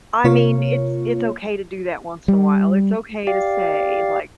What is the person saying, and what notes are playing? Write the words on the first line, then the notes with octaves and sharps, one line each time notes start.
I mean, it's it's okay to do that once in a while. It's okay to say like,
C3 A#3 F4 C#5
G3
G4 D5 F5